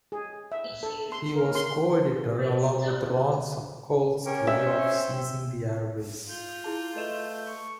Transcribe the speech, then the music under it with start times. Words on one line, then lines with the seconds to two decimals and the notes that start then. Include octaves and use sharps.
He was coeditor along with Ron Sakolsky of Seizing the Airwaves.
0.12 G#4
0.52 E5
0.83 A4
1.12 C6
1.35 A#4
1.55 C6
4.25 C#4 G4 A#4
4.47 D5 E5 G5
4.67 C4 C5 C6
6.28 F4 G6
6.64 E4 G#4 A5
6.96 A3 B4 D#5 E7
7.46 C#6